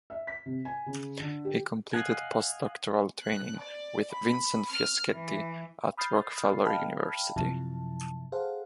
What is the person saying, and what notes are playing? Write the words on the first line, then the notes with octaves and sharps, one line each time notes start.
He completed postdoctoral training with Vincent Fischetti at Rockefeller University.
E5
B6
C3
G#5
C#3
D3
G4
D#5 F5 F#5 G#5
F#6
D5
B5
F6
E3
B5 D#6 F6 G6 A6 C7
D#5 F5 G5 A5 B5 F6
F#2 C3 F3 E4 A5
G#4 A4 C5 F5 F#5